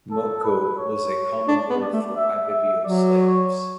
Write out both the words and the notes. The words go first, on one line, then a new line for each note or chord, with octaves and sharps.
"Moko" was a common word for Ibibio slaves.
A4
B4
C#5
D4
B3
D5
A3
E5
E5
F#3 D5
C#5